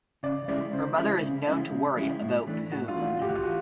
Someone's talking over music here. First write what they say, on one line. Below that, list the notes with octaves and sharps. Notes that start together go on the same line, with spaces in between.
Her mother is known to worry about Poon.
C#3 D5
F3 G#3 C#4 E4 D5
C#3 C5
F3 G#3 C#4 E4
C#3
F3 G#3 C#4 E4
C#3
F3 G#3 C#4 E4
A2
E3 A3 D4
A2 F#4
F4
E3 A3 D4
A2 G4
F#4
F4
E3 F#4